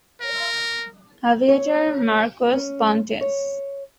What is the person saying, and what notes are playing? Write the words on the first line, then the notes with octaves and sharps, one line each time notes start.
Aviator Marcos Pontes.
A#4
C#5
C#4
C#5